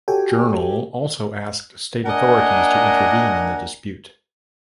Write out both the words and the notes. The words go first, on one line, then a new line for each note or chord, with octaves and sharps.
Journal also asked state authorities to intervene in the dispute.
F#4 G4 A4 C#5 G5 G#5
A#3 D4 A#4 D#5 F#5 G#5